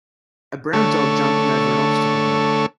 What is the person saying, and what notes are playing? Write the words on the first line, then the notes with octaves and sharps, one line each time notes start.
A brown dog jumping over an obstacle hurdle.
D3 A3 A4 C#5